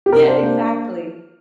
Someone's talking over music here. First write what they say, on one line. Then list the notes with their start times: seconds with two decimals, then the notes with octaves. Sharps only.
Yeah, exactly.
0.06 G4
0.12 C3 A#4
0.27 D4 C5
0.43 A#3